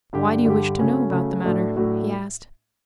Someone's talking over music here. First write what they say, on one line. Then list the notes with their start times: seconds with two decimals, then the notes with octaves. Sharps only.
"Why do you wish to know about the matter?" he asked.
0.13 G2 D3 G3 D4 G4
0.45 G2 D3 G3 D4 G4
0.78 C#3 F#3 A3 C#4
1.10 C#3 F#3 A3 C#4
1.43 A2 F#3 A3 D4 F#4
1.76 A2 F#3 A3 D4 F#4